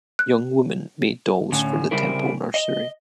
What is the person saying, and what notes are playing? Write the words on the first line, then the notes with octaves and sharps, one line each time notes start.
Young women made dolls for the temple nursery.
F#6
A2 D3 C#4
C#3 G3 C4 E4 A#4
D#5